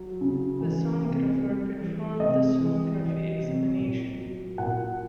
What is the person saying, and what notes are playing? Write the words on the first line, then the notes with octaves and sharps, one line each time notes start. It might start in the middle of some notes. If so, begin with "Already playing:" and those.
The Sonographer performed the Sonography examination.
Already playing: F#3
C#3
E3
C3
G3
E3
C3 D#5
E3
E3
C3
A#2
F#3
A#2 F#5